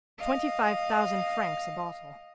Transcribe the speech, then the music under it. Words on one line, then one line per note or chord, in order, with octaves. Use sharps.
"Twenty-five thousand francs a bottle."
D#5 F5